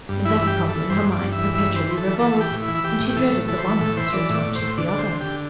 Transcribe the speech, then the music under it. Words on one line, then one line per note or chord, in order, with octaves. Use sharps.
In that problem her mind perpetually revolved; and she dreaded the one answer as much as the other.
G2
E3 E4
G2 E4
G4
E3
E3 A4
G2 C5
G2
D5
G2
E5
E3
G2 E5
E3 C5
E3
A4
E3
E3 A4
E3
G4
A2
E4
E3
E4
E3 G4
A2
G4
E3 A4
A2
E3 A4
C5
E3 A4
A2 A4
E3 C5
E5
E3 D5
A2 E5
D5
A2
C5
A2
D3 D5
D5
D3
C5
D3
G4
D3